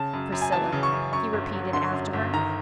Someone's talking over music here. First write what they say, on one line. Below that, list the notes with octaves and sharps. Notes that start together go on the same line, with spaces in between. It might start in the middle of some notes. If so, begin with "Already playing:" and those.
"Priscilla?" he repeated, after her.
Already playing: C#3 A5
F#2
F#2
G#5
E3 A5
C#3
C#6
F#2
F#2 C#6
G1
F#3
D3 C6
F#2
G1
D#3 A#5